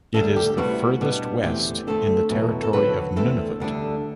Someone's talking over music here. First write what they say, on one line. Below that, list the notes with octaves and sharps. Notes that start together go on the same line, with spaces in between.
It is the furthest west in the territory of Nunavut.
D2 D3 G3 A4
G4
D2 C3 G3 B3 E4 F#4
B2 G3 B3 D4
E2 D3 A3 C4 G4
D2 D3 A3 C4 A4
E2 B2 F#3
A4
D3 F#3 C4 B4
E2 D3 A3 C4 A4
D2 D3 G3 D4